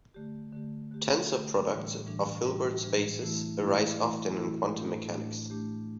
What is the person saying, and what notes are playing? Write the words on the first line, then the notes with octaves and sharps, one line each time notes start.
Tensor products of Hilbert spaces arise often in quantum mechanics.
D3 A3 G4
D3 A3 G4
D3 A3 G4
D3 A3 G4
A2 E3 G3 D4
A2 E3 G3 D4
A2 E3 G3 D4
A2 E3 G3 D4
E3 A3 E4
E3 A3 E4
E3 A3 E4
E3 A3 E4
A2 A3 D4 G4
A2 A3 D4 G4
A2 A3 D4 G4